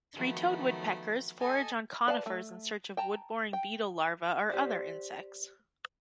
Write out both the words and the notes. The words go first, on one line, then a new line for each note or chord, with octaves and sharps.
Three-toed woodpeckers forage on conifers in search of wood-boring beetle larvae or other insects.
D#3 F3 F#3 A3 B3
A4 D#5 G#5 A5
B4 D5 F5 G#5 A5
A3
G5 A5 A#5
G5
G4 C5 D5